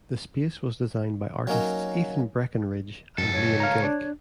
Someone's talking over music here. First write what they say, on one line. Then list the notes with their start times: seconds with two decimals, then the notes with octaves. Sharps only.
The space was designed by artists Ethan Breckenridge and Liam Gillick.
1.47 F#3 A#3 C#4 D#4
3.18 C#2 F#2 A4
3.33 C#5
3.60 F5 A#5
3.84 D4